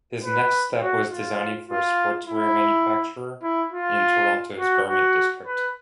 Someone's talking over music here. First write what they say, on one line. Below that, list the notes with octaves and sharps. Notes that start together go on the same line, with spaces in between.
His next step was designing for a sportswear manufacturer in Toronto's garment district.
B4
F#4
F4
F4
E4
E4
F4
F#4
F#4
B4